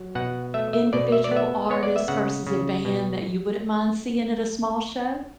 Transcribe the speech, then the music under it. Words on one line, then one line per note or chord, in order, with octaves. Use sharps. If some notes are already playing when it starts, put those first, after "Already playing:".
individual artist versus a band that you wouldn't mind seeing at a small show?
Already playing: F#3
B2 F#5
A3 E5
E5
B2 D5
E5
D5
B3
E5
B3 C#5
D5
E5
C#3 F#5
C#3
B2